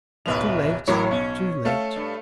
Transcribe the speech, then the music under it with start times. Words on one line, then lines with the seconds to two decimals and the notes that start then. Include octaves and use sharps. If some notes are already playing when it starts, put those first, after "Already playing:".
Too late!--too late!
0.26 D1 B1 F#2 B4 E5 F7
0.88 A1 A2 F#3 A#3 A#4 C#5
1.11 B1 C#4
1.65 A3 A4 F5
1.96 G2